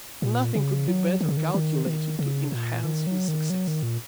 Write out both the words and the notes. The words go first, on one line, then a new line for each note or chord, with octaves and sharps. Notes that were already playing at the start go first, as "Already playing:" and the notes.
Nothing could be better calculated to enhance his success.
A#2
C#3
F#3
D#3
C#3
D#3
D#3
D#3
C#3
A#2
D#3
F#3
D#3
F#3
D#3
A#2